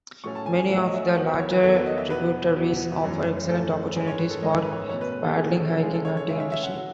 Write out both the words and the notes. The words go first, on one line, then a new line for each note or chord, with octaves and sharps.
Many of the larger tributaries offer excellent opportunities for paddling, hiking, hunting, and fishing.
A2 F#3 A3 C#4 C#6
A5
G#5
G#5
A2 F#3 A3 C#4 F#5
E5
D#5
E5
E2 D#3 F#3 F#5
E5
C#5
B4
E2 D#3 F#3 A4
B4
D#5
E5
E2 B2 F#3 B3 B4
E2 B2 F#3 B3
F#2 E3 A3 C#4
F#2 E3 A3 C#4 A4
G#2 D#3 G#3 C#4 G#4
C#5
B4
A4
G#2 D#3 G#3 C#4 D#5
C#5
B4
C#5
B2 A3 C#4 C#5
B4
B4
A4
B2 A3 C#4 G#4
A4
C#3 G#3 C#4 G#4
A4
C#5
C#5
C#3 G#3 C#4 E5
E5
E5
F#5
F#3